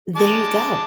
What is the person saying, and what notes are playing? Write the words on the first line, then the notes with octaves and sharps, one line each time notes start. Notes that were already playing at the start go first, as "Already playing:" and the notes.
There you go.
G#3 A5 D6